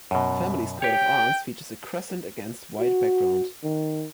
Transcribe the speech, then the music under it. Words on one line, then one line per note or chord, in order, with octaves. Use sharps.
The family’s coat of arms features a crescent against white background.
F#2 B2
G4 C#5 G5
F#4
D#3